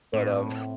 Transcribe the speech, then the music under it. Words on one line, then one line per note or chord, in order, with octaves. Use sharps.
but, um,
A2 C4